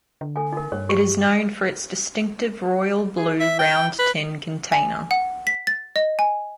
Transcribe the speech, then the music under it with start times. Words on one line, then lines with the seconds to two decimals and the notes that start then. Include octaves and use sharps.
It is known for its distinctive royal blue round tin container.
0.21 D3
0.36 A4 G#5
0.53 D#4 A#4
0.72 G2 C#5
0.89 G4
3.17 G#4
3.40 E5
3.59 G5
3.99 B4
4.72 G#5
5.11 F#5
5.47 B6
5.67 A6
5.96 D#5
6.19 G#5